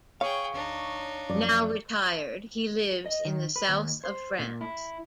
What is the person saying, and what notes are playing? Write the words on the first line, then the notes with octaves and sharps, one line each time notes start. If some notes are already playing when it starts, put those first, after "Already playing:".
Now retired, he lives in the south of France.
G#4 C#5 F5 G5
D2 D4 D#4
F#2 F3 D5
D#5
D#3
B4
D#2
C5
A#2
E4